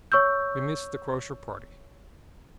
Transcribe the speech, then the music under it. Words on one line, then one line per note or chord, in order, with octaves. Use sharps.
We miss the Crozier Party.
C#5 C#6 E6 G6